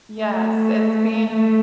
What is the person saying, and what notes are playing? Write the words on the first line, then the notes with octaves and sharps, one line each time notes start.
Yes, it's being
A3
A3